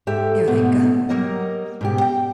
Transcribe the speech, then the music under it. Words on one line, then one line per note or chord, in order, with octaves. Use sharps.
"There they go!"
G#2 G4 A4 E5
G#2 B2 A3 B3
F#3 G3 A#3 A#4 D#5
G#2 B2 G4
G5